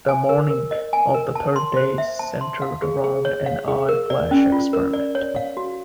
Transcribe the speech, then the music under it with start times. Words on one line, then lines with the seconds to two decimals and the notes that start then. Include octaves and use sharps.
The "morning" of the third day centered around an "eye flash" experiment.
0.08 G#5
0.29 A#4
0.51 A#4
0.71 D#5
0.93 G#5
1.14 A#4
1.35 A5
1.56 C6
1.77 C5
1.98 E5
2.19 A5
2.41 C6
2.62 F5
2.82 G#4
3.04 G#4
3.25 C#5
3.46 F5
3.68 G#4
3.89 A#4
4.10 D5
4.31 C#4
4.52 F4
4.73 A#4
4.93 D5
5.15 C#5
5.36 F5
5.57 F#4